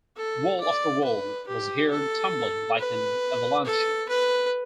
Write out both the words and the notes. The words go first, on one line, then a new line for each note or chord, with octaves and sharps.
Wall after wall was heard tumbling like an avalanche.
A4
D5
B4
G4
A4
B4
A4
B4